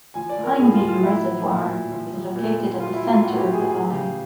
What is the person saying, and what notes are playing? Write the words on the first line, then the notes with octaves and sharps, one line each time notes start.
Pineview Reservoir is located at the center of the valley.
F3 G#5
D5
F3
A#4
A2 G#4
F4
A2
F4
F#3 E4
F#3
A#2
A#2
F3
F3
A#2
A#2
F#3 F4
E4
F#3
F4
A2 F#4
G4
A2
G#4
E3 G#4
C#3 G4